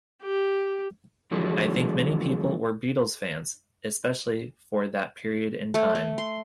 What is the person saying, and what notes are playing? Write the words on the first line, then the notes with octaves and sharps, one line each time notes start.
I think many people were Beatles fans, especially for that period in time.
G4
E2 D3 F3 F#3 G#3
A3
A3
C6